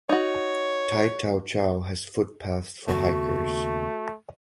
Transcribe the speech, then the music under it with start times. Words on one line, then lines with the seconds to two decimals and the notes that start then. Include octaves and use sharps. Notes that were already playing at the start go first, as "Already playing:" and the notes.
Tai Tau Chau has footpaths for hikers.
0.09 D#4 F#4 C#5
2.89 D#2 C#3 A3 B3 F#4